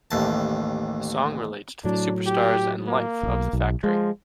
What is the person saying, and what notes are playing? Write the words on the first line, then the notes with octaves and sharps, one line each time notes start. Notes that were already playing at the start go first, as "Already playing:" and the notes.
The song relates to the superstars and life of the Factory.
A1 D#2 A5
A2 F#3 D4
G4
A#3
D#1 B1
B1
F3 G#3